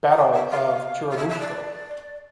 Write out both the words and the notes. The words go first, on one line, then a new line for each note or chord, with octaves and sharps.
Battle of Churubusco.
C5
E5
F5
F5
E5
E5
D5